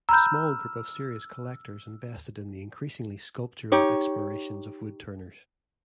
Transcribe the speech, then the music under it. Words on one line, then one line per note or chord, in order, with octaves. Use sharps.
A small group of serious collectors invested in the increasingly sculptural explorations of woodturners.
A#5 B5 E6 F6 G6
D#4 G4 C#5